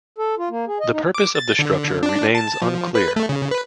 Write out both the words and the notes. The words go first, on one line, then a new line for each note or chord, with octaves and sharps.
The purpose of the structure remains unclear.
A4
F4
A#3
G#4
D#5
D#4
D6
A6
D3
D4
A5
F3
B4
A3
C#3
B4